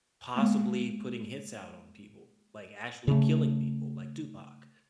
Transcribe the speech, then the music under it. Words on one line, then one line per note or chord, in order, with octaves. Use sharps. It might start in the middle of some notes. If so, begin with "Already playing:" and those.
possibly putting hits out on people, like, actually killing people, like Tupac,
G#3 A#3 B3
C#3 A3